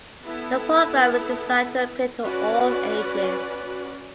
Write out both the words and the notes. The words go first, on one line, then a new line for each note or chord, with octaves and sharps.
The program is designed to appeal to all ages.
B3 E4 A4
C#4 F#4 B4 D5